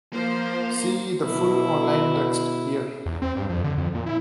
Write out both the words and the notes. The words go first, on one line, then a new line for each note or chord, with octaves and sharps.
See the full online text here.
F3 A#3 C5
B2 E4
E2
C4
G2
F2
D3
F2
A#2
E4